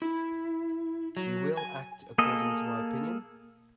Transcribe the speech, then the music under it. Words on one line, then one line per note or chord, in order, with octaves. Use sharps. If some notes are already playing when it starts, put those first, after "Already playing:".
You will act according to my opinion?
E4
F#3
G#5
A#3 G#4 A4 D#5